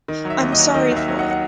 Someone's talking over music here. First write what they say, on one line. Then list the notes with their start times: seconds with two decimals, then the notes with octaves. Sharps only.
I’m sorry for it.
0.08 D#3
0.25 F#3
0.30 E5
0.41 D#2
0.52 D#5
0.58 F#3
0.74 D#3 D#5
0.91 D#2
0.96 E5
1.08 F#3
1.19 D#5 F#5
1.31 F#5